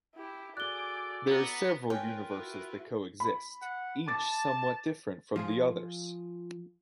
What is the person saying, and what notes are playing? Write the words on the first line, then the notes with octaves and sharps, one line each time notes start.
There are several universes that coexist - each somewhat different from the others.
E4 G4
F#4 G#4 A4 D5 D6 F#6 G7
B3 A#5
C#4 F4 A#4 B4 G5
E4 F#4
B5
F#5
A5 D6 A6
F3 F4 G#4